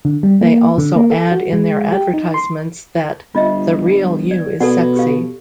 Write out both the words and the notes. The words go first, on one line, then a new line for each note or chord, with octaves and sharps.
They also add in their advertisements that The real you is sexy.
D3
G3
A#3
D3
A#3
A4
F#4
G#3
G4
D#4
C6
G1 F4 D#5 E5
D5
B2 A4 D5 F#5
G4 F5